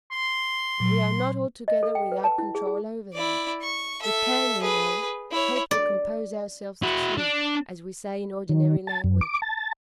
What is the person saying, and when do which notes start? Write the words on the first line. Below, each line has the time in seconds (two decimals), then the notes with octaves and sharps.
But we are not altogether without control over them. We can, we know, help to compose ourselves to sleep, as we say in ordinary language.
0.12 C6
0.80 A#2 F#3
1.68 D#5
1.83 A4
1.95 G5
2.12 B4
2.24 A5
2.38 E4
2.55 G#4
2.67 G#4
3.13 E4 D5
3.62 C#6
4.01 A4 E5
4.61 G#4 B4
5.31 E4 C#5
5.71 D5
6.83 E4 F#4
7.17 D4
8.49 D#3
8.87 A5
9.04 F#2
9.21 D6
9.42 A5